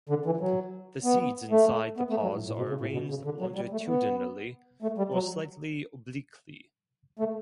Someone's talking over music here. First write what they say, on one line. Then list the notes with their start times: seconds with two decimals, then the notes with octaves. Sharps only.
The seeds inside the pods are arranged longitudinally or slightly obliquely.
0.09 D3
0.26 E3
0.41 F#3
1.04 B3
1.51 A3
1.98 B3
2.11 A3
2.23 F#3
2.34 A2
2.46 A2
2.58 B2
2.69 C#3
2.81 A2
2.93 B2
3.10 C#3
3.25 D3
3.41 F#3
3.56 G3
3.72 A3
3.87 B3
4.82 A3
4.98 G3
5.14 F#3
7.19 A3